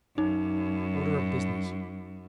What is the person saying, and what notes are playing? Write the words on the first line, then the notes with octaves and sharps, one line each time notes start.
Order of Business.
F#2 D#4